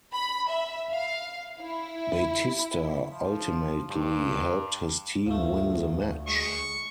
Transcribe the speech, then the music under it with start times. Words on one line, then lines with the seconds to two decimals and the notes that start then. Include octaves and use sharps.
Batista ultimately helped his team win the match.
0.14 B5
0.49 E5
0.93 F5
1.60 E4
3.11 F3
3.88 G2
5.26 D2 F3 A3
6.28 G#3 C#6